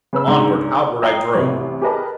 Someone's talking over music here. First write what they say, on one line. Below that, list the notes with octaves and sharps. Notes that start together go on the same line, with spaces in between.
Onward, outward, I drove.
C#3 B4 E6
G#2 C#3 D4 D5 A#5
D#5 G5 A#5 D#6 C7
A1 C3
G4 G#4 A#4 B4 D#5 A5